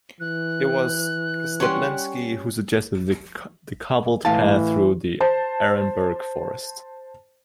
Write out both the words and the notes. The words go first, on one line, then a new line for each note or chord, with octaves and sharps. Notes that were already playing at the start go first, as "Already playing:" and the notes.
It was Stablinski who suggested the cobbled path through the Arenberg forest.
E3 F#6
G3 C#4 C#5 F#5 C6
A2 E3 F5 A5
C5 A5